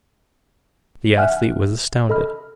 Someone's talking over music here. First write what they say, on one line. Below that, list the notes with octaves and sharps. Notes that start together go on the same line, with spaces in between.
The athlete was astounded.
E5 F#5 G#5 F6 F#6
A4 D#5 B5 F6